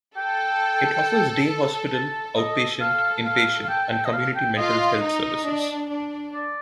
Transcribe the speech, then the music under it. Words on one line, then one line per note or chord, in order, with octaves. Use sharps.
It offers day hospital, outpatient, inpatient, and community mental health services.
A4 G5
A4 A5
D#5
F5
F5
F5
G5
G5
D#5
F5
G5
F4 D#5
D#4
D4
D4
D5